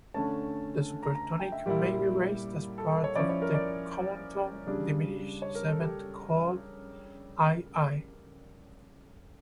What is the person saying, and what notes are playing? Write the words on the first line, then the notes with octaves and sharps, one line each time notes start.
The supertonic may be raised as part of the common-tone diminished seventh chord, ii.
D3 A3 C#4 A5
A#5
A#5
G5
E5
A#2 G3 A#3 E4 G4
A4
C#5
F3 C#4 E4 D5
C#5
A#4
D5
C#3 G3 D4
C#5
A#4
A4
G4